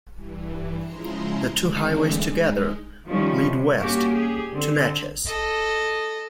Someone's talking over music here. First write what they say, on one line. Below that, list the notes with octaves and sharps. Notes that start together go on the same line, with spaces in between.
The two highways together lead west to Natchez.
G2 E3
C#3 F3 G#3 E4 A#5 C6
D3 E3 G#3 A3 C4 D4
G#3 D#4
D#3 F3 G3 C#4 E4
C3
G2 A#3 C#4 F#4 G4
G4 G#4
D3 C4
A4 D#5